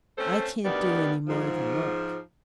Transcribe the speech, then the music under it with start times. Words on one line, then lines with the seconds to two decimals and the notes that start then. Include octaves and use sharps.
"I can't do any more than look."
0.18 A3 C4 C#4 A4 C5
0.65 D2 D#3 B3 G4 D5
1.28 G#2 F3